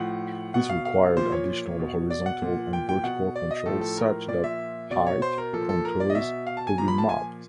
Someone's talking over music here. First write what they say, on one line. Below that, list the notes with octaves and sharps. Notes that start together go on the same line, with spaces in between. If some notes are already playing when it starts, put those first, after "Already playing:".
This required additional horizontal and vertical control such that height contours could be mapped.
Already playing: A2 F3 F#5
B2 F#5
F5
F5
A#2 F3 C5
C#5
B2
D5
F#5
A#2 F3
G5
G5
B2 F#5
D5
D#5
A2 F3 A4
A4
A#4
A#2 F3 D5
E5
B2 D5
C#5
C5
A#4
A#2 F3 A4
A4
A#4
D5
D#5
B2 E5
F5
A5
G#5
A#2 F3 A#5
B5
A5
G#5